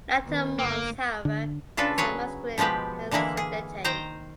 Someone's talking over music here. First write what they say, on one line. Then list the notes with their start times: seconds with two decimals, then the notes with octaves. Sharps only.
Latin mons, however, is a masculine, hence Sudeti.
0.25 D#3 B3
0.59 G1 A#3
1.25 D3
1.77 C#3 D4 F4 A4 B4
1.98 F#3 G#4 B4 C#5
2.58 B2 F3 G#3 G4 B4
3.11 D3 E3 G#3 A#3 E4
3.37 G#4
3.84 D#3 C5 G5 A#5